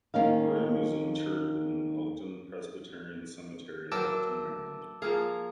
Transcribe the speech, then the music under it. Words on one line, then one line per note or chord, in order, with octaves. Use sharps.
Groome is interred in Elkton Presbyterian Cemetery of Elkton, Maryland.
D#2 A#3 C#4 D#4 F5
E3 F#3 A#4 G5 A5 D6 E6
F3 A#3 G#4 F5